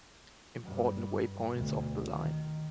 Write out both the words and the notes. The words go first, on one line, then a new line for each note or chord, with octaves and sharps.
Important waypoints of the line.
G2
D2 B2
D#3